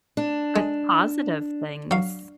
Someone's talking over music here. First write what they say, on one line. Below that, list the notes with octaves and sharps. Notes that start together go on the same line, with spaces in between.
With positive things.
D4
G#3
F#3 F5